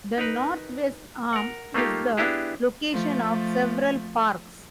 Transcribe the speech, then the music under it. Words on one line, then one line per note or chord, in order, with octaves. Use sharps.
The Northwest Arm is the location of several parks.
D#4 A#4 B4
A#4 F#5
A3 A#3 D#4 F4 G4
B3 D4 E4 G4 G#4
F3 A3